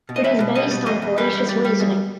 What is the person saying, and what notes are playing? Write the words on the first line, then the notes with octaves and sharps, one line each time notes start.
It is based on fallacious reasoning.
B2
D#5
E2 E5
B2
G3 D#5
B2
E2 D#5
E2
G3 B4
E2
G3
G3
E2